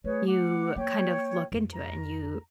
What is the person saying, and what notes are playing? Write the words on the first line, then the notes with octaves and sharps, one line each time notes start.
you kind of look into it, and you
A3 G#4 B4 C#5
F#5 D6
A#3 C#5 G5
F2
A#5